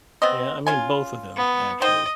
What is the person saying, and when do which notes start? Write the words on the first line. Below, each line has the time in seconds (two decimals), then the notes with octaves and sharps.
Yeah, I mean both of them actually.
0.22 B3 C4 D#5
0.67 C#4 F4 G#5
1.36 B3
1.82 D#3 C5 D#5 G5